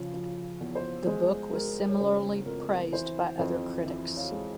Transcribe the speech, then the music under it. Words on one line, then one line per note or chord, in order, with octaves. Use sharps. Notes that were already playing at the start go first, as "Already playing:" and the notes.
The book was similarly praised by other critics.
Already playing: C#3 F3 C#5
F3
E2
C5
G#3 C5
G#3 A#4
C#5
C#3 C5
F2 A#4
E3 C5
F2 C5
E3
C#5 F5
G#3